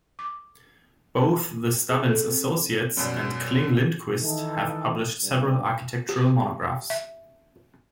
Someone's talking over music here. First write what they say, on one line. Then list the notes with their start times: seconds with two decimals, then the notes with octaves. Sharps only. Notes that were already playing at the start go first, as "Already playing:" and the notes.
Both The Stubbins Associates and Kling-Lindquist have published several architectural monographs.
0.19 D6
1.89 G#4
2.09 A4
2.32 C4
2.97 F#2 B2 G3
4.22 D#3 E3 D#4 A4
5.22 G2
6.09 G4
6.90 E5